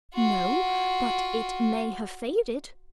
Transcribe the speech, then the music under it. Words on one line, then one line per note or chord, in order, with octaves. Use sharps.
'No! but it may have faded.'
F4 F#4